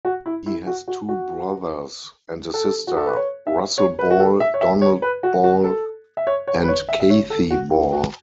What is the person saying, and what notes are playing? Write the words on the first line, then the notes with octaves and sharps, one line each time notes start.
He has two brothers and a sister: Russell Ball, Donald Ball and Cathie Ball.
F#4
E4
E4
F#4
F#4
F#4
A4
F#4
A4
B4
C#5
E5
C#5
B4
F#4
A4
E5
C#5
E5
C#5
B4
F#4
F#4
A4
E5
C#5
C#5
B4
C#5
E5
E5
C#5
A4
F#4
E4
F#4